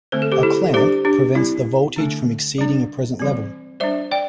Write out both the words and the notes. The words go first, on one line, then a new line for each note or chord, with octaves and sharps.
A clamp prevents the voltage from exceeding a preset level.
D3 A3 C4 C5
A4
G4 C5
E4 A4
G3 D4 G4 C5
D4 G4
G3 C4 E4
D3 A3 D4
G3 D4
E3 G3 C4
G3 D4 C5 E5
D5 G5